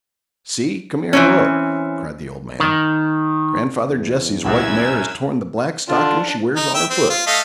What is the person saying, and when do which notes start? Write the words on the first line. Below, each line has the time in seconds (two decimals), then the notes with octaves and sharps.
"See, come here and look," cried the old man. "Grandfather Jesse's white mare has torn the black stocking she wears on her foot."
1.13 E3 C4 C#4
2.60 D#3
3.87 E2
4.45 C#2 F#2 A#2 F#3 E4 E6 G#6
5.89 D3 D4 F4
6.56 D#4
6.74 E5 G5
6.90 C4
7.10 F4
7.27 A3 D#5 F5